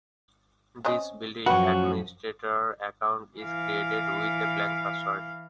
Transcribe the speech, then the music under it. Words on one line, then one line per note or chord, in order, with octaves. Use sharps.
This built-in administrator account is created with a blank password.
C4 C#4 D#5
F#2 F3 C#4 F#4 B4 F#5 G5 C#6
E3 F5